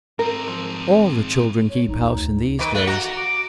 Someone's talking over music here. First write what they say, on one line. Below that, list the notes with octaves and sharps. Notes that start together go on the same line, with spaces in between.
All the children keep house in these days.
G#2 C4 A#4
F3
C#5
A#1 D#4
D#2
D2
D#3 B4 D6
A3 F#6
F#4 A#5
D6